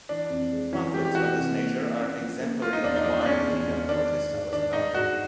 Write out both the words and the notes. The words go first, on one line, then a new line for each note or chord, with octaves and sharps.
Conflicts of this nature are exemplary of why the kingdom Protista was adopted.
E3 D4
F2
G#3
E3 C#4
G#3 G4
G4
E3 F#4
C3
A#3
A#3
C#4
F3
A#3
A3 F4
D#4
E2 D4
D#4
F3 D4
D4
E2 C#4
E2
E2
D#3 D4
D#3
G#2
D#3 D4
G#2 D#4
G#2 F#4